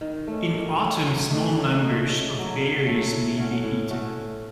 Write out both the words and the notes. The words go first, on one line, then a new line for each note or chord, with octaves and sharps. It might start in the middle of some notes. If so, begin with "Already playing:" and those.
In autumn small numbers of berries may be eaten.
D#3
A3 C#4
D#3
A3 C#4
F#3
A3 D#4 F#4
F#3
A3 D#4 F#4
C#3
F#3 A3
C#3
F#3 A3
A2
A3 C#4 F#4
A2
A3 C#4 F#4